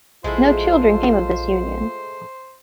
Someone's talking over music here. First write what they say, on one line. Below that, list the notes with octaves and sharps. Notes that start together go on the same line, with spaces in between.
No children came of this union.
A#1 G#3 A3 E4 F4 C5